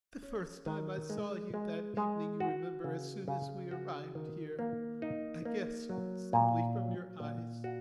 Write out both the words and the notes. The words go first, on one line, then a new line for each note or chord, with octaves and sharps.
The first time I saw you, that evening, you remember, as soon as we arrived here, I guessed simply from your eyes.
C#4
D#3
G#3
G#3
G#3
F#4
C#3
C#3
F#4
D#3
A#3
D#4
A#3
F#3
A#2
F#3
A#2
F#4